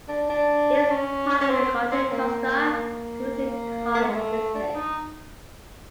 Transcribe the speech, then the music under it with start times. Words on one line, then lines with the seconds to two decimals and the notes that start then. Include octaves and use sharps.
It is part of the Contra Costa Community College District.
0.08 D4
0.30 D4
0.90 C#4
1.41 C#4
1.50 C4
1.91 C4
2.12 A#3
2.73 A#3
3.95 A#3
4.02 A3
4.08 G#3
4.15 A3
4.55 D4
4.75 D#4